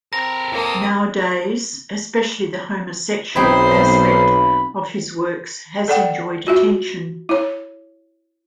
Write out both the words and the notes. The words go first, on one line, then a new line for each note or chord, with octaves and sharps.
Nowadays, especially the homosexual aspect of his works has enjoyed attention.
C4 A4 A#4 A#6
A#3 D#6
B1 C4 D#4 E4 C5 B5 C6
A4 D5 F#5 G5
F4 F#4 E5
E4 C#5